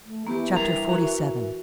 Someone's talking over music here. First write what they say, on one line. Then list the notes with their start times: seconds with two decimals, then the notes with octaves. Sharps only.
Chapter XLVII.
0.05 A3
0.27 E3 A#3 B3 G4
0.52 G2 A#4 A#5
0.89 F#4 A#5